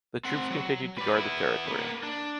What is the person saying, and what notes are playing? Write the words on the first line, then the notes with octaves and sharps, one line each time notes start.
The troops continued to guard the territory.
C4 F#5
F#3
B4 D5
B3 E4
A#3 B3
D4